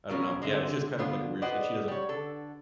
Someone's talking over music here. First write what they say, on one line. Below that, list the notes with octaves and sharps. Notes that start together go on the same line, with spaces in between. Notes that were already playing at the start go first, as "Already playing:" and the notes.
I don't know, yeah, it's just kind of like a weird s and she doesn't
B2 C#4 F4 A#4
D3 G#3 C4 E5
D3 B3 F4
B4 C5 D5 D#5 F#5
G3 C#5
D3 A4